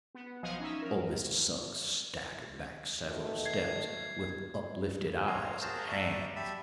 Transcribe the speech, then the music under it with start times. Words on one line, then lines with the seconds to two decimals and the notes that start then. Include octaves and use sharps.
Old Mr. Suggs staggered back several steps, with uplifted eyes and hands!
0.15 B3
0.43 B1 F3 D#5 F5 F#5 G#5
0.60 C#4 D#4 E5
0.82 A#4
3.03 B2 D#3 A3
3.45 G#6 C7
5.27 C#5 F5 A#5 C6
5.61 F#4 G#4 A#4 C5 A5
5.88 F#4 D5 E5 A5 A#5
6.36 G4 E5 A5 B5